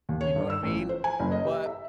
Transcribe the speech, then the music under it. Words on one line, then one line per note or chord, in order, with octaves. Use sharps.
You know what I mean? But
D#2
C#5
G2
E6
A1
F3
C5
G#5
F#1
D#5
G4
E5